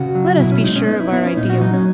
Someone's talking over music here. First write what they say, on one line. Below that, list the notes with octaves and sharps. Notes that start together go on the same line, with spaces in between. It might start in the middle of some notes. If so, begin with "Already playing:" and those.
Let us be sure of our ideal.
Already playing: C#3 F#4
F#3
B2 E4
C#4
G#3 D#4
C#4
B3 D#4
E4
B3 E4
C#4
A#2 D#4
F#4
F#3 D#4
C#4